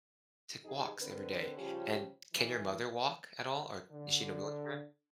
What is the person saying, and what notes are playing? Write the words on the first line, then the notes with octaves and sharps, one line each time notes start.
take walks every day. And can your mother walk at all, or is she in a wheelchair?
F2 D#4 G4 G#4
D3 C4 A#4 B4
C#3 F3 G3 C#4 F4 G4
E3
D3 D4